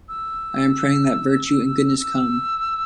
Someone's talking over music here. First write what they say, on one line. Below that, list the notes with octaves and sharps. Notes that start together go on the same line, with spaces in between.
I am praying that virtue and goodness come.
E6
E6